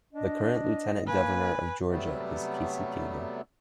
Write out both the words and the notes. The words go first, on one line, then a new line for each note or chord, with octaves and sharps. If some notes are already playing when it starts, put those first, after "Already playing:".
The current Lieutenant Governor of Georgia is Casey Cagle.
D4 D#5
A#3 B4 G#5
C3 F#3 G3 A3 B3